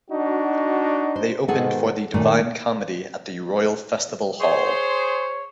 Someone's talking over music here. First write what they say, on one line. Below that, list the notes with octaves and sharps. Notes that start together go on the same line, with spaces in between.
They opened for The Divine Comedy at the Royal Festival Hall.
D4 D#4 F#4
C5
G#2 B2 D#3 G#4 A4 F#5
F#2 A#2 D#3 A3
G#4 C5 C#5 C6 C#6